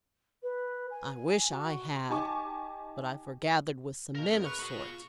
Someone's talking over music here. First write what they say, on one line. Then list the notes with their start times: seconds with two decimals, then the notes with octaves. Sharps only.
'I wish I had; but I forgathered with some men of sorts.
0.43 B4
0.91 G#5
1.50 F#4
2.09 D#4 G4 G#5 A5 C#6 D6
4.15 B2 A#4 F5 A#5
4.27 F#2 G#4
4.45 B4 C#6
4.59 F#4 B4 C#6
4.74 F4